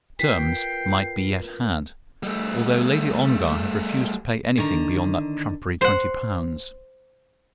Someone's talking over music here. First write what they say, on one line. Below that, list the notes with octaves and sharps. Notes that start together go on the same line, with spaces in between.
Terms might be yet had, although Lady Ongar had refused to pay anything beyond that trumpery twenty pounds.
F4 A#4 B4 G5 B6 C7
G3 A3
D3 D#3 A#5
C5 F#5